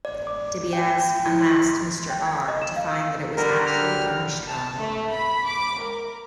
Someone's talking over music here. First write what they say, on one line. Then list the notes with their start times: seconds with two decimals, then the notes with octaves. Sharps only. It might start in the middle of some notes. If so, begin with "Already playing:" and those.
Dibiase unmasked Mr R. to find that it was actually Armstrong.
0.05 D5
0.27 D6
0.73 G5
1.26 E4
1.41 C6
2.10 G5
2.26 G#6
2.48 D#5
2.62 E7
2.76 F5
2.91 E6
3.37 D3 G3 A#4
3.66 F6
4.48 A5
4.77 A3
5.12 B5
5.48 D6
5.82 A#4